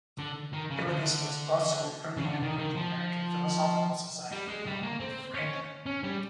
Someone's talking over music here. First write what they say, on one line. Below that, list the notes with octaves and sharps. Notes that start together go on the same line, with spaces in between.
Hillegas was also an early member of the American Philosophical Society, along with Franklin.
D3
D#3
C#3
D3
C#3
D3
D#3
D#3
F3
G3
G#3
G3
A#3
C4
C#4
C#4
G3